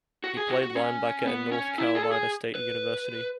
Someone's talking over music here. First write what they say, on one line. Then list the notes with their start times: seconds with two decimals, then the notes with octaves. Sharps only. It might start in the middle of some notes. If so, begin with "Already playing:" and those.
He played linebacker at North Carolina State University.
0.24 F#4
0.37 G#4
0.49 F#4
0.62 F#4
0.75 C#4
1.27 B3
1.52 C#4
1.78 E4
1.95 G#4
2.04 A4
2.12 G#4
2.55 B4